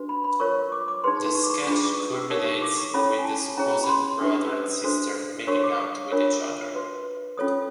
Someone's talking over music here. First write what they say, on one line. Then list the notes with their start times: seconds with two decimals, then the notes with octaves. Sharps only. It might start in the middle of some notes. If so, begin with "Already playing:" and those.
The sketch culminates with the supposed brother and sister making out with each other.
Already playing: D4 F#4 B4
0.09 B5
0.24 B5
0.40 F4 A#4 C#5 C#6
0.72 D6
0.88 D6
1.04 D#4 G#4 B4 C6
1.35 C#6
1.44 D6
1.50 C#6
1.62 C#6
1.67 D4 F4 G#4 B4 D6
1.83 D6
1.99 D#6
2.15 E6
2.30 D#4 G4 A#4 C#5 D#6
2.46 C#6
2.62 D6
2.78 C#6
2.94 C#4 E4 A4 C#5 B5
3.19 G#5
3.25 A5
3.57 C#4 E4 G#4 C#5 A#5
3.84 B5
3.89 C6
4.21 D4 G4 B4 D#6
4.42 E6
4.64 D#6
4.84 D4 F#4 A4 C5
5.47 D4 F#4 A#4 C#5 C#6
5.64 D6
5.80 D#6
5.95 D#6
6.11 D4 F4 A#4 C#5
6.75 F#4 B4
7.37 C#4 F4 A4 C#5 D#6